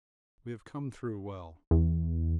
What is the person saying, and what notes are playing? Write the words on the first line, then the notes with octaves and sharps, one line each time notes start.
We have come through well.
E2